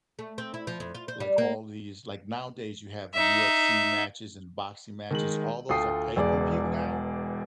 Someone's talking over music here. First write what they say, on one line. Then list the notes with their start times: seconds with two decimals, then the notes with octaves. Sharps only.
like, all these like, nowadays, you have the UFC matches and boxing matches, all those are pay-per-view now?
0.19 A3
0.38 C4
0.54 E4
0.67 F3
0.80 F2
0.95 F4
1.08 C5
1.20 G3
1.38 A#3
3.14 D#4 E5
5.11 D#3 G#3 F#7
5.69 D2 F4 A4 G5 D#6 C7
6.16 E1 E2 G#4 D5